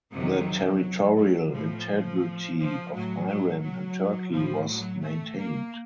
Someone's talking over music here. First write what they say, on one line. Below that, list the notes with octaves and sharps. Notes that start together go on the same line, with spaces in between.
The territorial integrity of Iran and Turkey was maintained.
F2 C3 D#3 F#3
F#3
A2 F3
F3
A2 F#3
F#3
F#3
A2 F3
F#3
A3
A#3